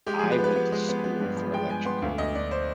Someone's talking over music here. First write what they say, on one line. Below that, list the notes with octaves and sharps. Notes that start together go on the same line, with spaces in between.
I went to school for electrical
G#3 G4
F3 G#4
B4
B3
B4
B3
G#3
B3
B3
G2
F3
G#3 G5
G#3 G#5
B3 C6
D2 F5
D2 D#5
D2 D5
C5